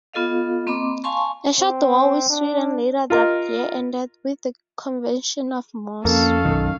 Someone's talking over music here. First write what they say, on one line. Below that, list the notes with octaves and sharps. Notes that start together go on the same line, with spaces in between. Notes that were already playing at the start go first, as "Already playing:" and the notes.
A short war with Sweden later that year ended with the Convention of Moss.
B3 F4 A4 D#5 F5
A#3 C4 D#5 B5 C6 D6
F5 G#5 A5 C6 C#6
C4
D4
F4 A#4 D#5
F2 A#3 C#4 A4 F5
B1 F#2 D#3